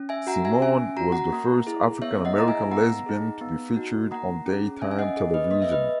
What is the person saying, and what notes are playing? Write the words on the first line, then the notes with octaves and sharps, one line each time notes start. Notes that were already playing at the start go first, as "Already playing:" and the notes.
Simone was the first African-American lesbian to be featured on daytime television.
Already playing: C#4
E5 G#5
F#4 F#5 A#5
E5 G#5
C#4 E5 G#5
F#4 A#5
F#5 A#5
A#3
E4 G#4
B3 C#5 E5
D#5 F#5
E4 G#4 A#5
E5 G#5
B3 F#5 A#5
D#4 G#4
B3
D#4 F#4
A#3 F#5 A#5
C#4 G#4
C#4 E5 G#5
G#5
D#5 F#5
G#4
B4 D#5
A#3 D#5
E5
B4 D#5